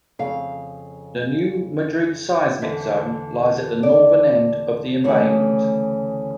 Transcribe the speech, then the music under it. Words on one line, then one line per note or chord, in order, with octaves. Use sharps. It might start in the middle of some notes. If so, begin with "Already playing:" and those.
The New Madrid Seismic Zone lies at the northern end of the embayment.
F2 C#3 F5
E2 D3 E5
D5
D2 C#3 E3 C#5